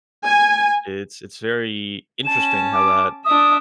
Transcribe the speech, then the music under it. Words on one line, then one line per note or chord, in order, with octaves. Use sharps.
it's it's very interesting how that
G#5
C#4 A5 E7
D6
D4 E5 D#6